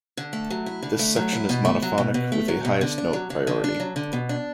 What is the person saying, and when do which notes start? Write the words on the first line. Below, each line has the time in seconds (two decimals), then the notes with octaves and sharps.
This section is monophonic, with a highest note priority.
0.17 D3
0.33 A3
0.50 F#3
0.66 E4
0.83 D3
0.99 A3
1.16 F#3
1.33 E4
1.49 B2
1.65 A3
1.82 F#3
1.98 B2
2.14 B2
2.32 A3
2.48 F#3
2.65 B2
2.81 D3
2.98 D4
3.13 F#3
3.30 D3
3.47 D3
3.64 D4
3.80 F#3
3.96 D3
4.13 B2
4.29 D4